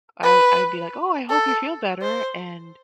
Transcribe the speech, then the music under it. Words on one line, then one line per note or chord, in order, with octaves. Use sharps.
I I'd be, like, "Oh, I hope you feel better." And
B4
A4
C5